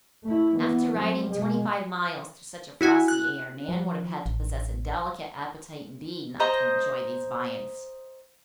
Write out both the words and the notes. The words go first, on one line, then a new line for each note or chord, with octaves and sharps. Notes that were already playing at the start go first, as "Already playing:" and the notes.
After riding twenty-five miles through such a frosty air, Nan would have had to possess a delicate appetite indeed not to enjoy these viands.
A3 E4
E3 B3
F#3 C4
B2 G#3
E4 F#4 G#5
F#6
F3
A1
C5 D#5 A#5